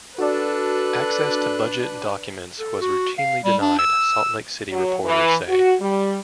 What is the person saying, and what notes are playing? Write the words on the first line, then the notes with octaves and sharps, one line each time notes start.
Access to budget documents was routinely denied, Salt Lake City reporters say.
D4 F#4 A4 B4 D5
A4
F#4
F5
G3
D4
E6
F#3
E3
F#4
G3